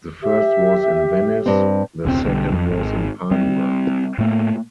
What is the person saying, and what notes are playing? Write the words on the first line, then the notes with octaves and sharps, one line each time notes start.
The first was in Venice, the second was in Padua.
G4 E5
G2 C4
E1 C#2 C#3 C4
B1 D3 G3
F2
G#1
G3 C4
A2 A3 A#3